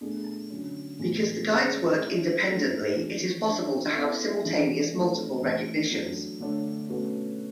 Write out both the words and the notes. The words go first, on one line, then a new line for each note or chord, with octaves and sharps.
Because the guides work independently, it is possible to have simultaneous multiple recognitions.
B2 A3 D4 G#4
D3 F#3 C#4
A2 E3 G#3 B3
G#3 C#4 G#4 D5
G#3 C#4 E4
A3 D4 A4
E3 G#3 D4 F#4
G#3 D4 A4 E5
B3 E4 A4 E5
C#3 E3 G#3 D4 G#4
A3 D4 F#4 A4 D5
E3 A3 E4 G#4
F#3 A3 D4
D3 A3 D4 A4 C#5
B2 A3 C#4 F#4 B4